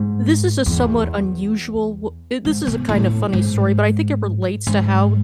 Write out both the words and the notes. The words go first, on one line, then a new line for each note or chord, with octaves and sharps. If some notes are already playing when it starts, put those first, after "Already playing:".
this is a somewhat unusual w uh, this is a kind of funny story, but I think it relates to how
Already playing: G#2
E2
G#2
B2
A2
G#2
G#2